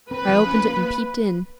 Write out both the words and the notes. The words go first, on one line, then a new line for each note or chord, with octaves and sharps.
I opened it and peeped in.
C4 B4
F3
C#4
A#3